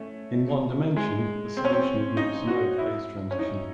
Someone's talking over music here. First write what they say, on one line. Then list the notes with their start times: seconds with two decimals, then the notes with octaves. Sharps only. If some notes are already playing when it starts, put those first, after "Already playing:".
In one dimension, the solution admits no phase transition.
Already playing: A3 C#4
0.97 G#3
1.57 C4
1.65 C#4
1.73 C4
2.17 D#4
2.48 F#4
2.78 E4
3.31 C#4
3.39 D#4